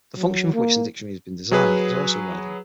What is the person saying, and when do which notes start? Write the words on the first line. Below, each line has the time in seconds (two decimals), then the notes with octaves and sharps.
The function for which the dictionary has been designed is also relevant.
0.18 F#3
0.54 A#3
1.51 F#3 G#4 B4